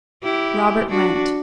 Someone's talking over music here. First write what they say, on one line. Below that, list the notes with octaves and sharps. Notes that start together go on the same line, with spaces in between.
Robert went.
E4 G4
D4 F#4